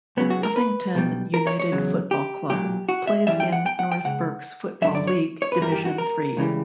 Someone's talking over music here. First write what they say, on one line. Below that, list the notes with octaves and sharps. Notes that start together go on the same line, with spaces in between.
Uffington United Football Club plays in North Berks Football League Division Three.
C#2 C#3 F#3 B3
F#4
A#4
B4
B1 B2 G3
A#4
C#5
C#5
E2 C#3 F#3
G4
B1 A#2 F#3 G4
F#4
E5
F#2 E3 G3 E5
G5
F#5
G5
F#5
G5
C#2 C#3 F#5
G2 D3 F#3 E5
D5
C#5
C#5
B4
G2 E3 G3 A#4
G4
F#4
A#4
C#2 C#3 E3 G3